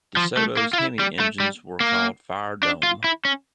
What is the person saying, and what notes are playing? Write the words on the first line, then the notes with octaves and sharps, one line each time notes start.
DeSoto's Hemi engines were called Fire Dome.
F3
A3
A#3
F4
E4
G3
A3
G3
A#3
D4
F4
E4
C#4